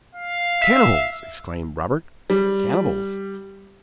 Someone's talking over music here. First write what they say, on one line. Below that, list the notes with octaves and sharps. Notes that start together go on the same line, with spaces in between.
"Cannibals!" exclaimed Robert, "cannibals?"
F5
E5
G3